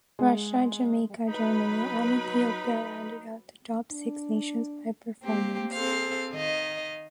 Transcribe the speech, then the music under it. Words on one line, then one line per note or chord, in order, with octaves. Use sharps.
Russia, Jamaica, Germany and Ethiopia rounded out the top six nations by performance.
G#3
F#3 D#4 B4 B5
D4
A#3 C4 G4
C4 G#4 A4 C5 F5
D#3 D#5 F5